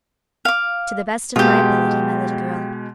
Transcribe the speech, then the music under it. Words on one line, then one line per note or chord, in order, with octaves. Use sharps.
"To the best of my ability, my little girl."
F5 D6
B2 G#3 F4 G4